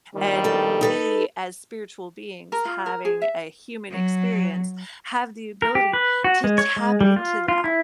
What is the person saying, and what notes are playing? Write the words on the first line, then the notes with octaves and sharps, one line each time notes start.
and we as spiritual beings having a human experience, have the ability to tap into that,
A#1 D#3 G3
B2 A4
D#4 A4 B4
A#4
F4
A#4
G#4
E5
F#3
A#4
G4
B4
F#4
G#3
C#5
G#3
G3
F4
F4
E4